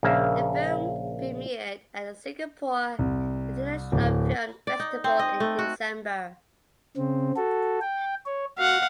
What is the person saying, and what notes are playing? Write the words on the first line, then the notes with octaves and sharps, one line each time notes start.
The film premiered at the Singapore International Film Festival in December.
A#1 C#3 A#3 E5
C2
D1
D5
D#4
C4
D#5
A3
F#4
C#3 C4
F#4 A4
G5
C#5
F#4 F5 F#5